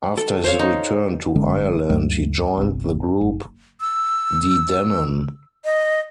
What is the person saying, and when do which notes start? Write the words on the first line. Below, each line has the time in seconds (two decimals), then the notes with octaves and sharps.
After his return to Ireland, he joined the group De Dannan.
0.17 A4
0.44 C5 C#5 F5
0.59 D#4
1.36 F#1 D3 G#3 C#4
1.90 D2 G2 F#3 A3
2.57 G1 C2
3.21 F#1
3.81 E6
5.65 D#5